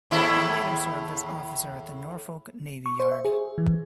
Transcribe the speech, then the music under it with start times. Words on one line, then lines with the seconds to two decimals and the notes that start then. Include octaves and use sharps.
He later served as Officer at the Norfolk Navy Yard.
0.11 D#2 A2 E4
2.86 C#6
3.00 C5
3.11 E5
3.25 G#4
3.58 E3